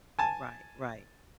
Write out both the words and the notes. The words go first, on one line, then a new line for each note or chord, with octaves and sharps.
Right. Right.
G#5 A5